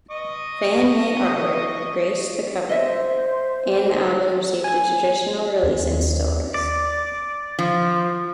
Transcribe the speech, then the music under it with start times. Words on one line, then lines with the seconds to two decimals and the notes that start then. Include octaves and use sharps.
Fan-made artwork graced the cover, and the album received a traditional release in stores.
0.11 D#5 C#6 D#6
2.69 C5 D#5 E5
4.64 G#5 G#6
5.63 D#2
6.54 D5
7.59 F3